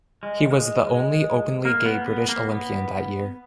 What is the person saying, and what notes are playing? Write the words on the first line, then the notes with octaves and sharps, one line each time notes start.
He was the only openly gay British Olympian that year.
G#3
G#3
A#3
B3
B3
A#3
B3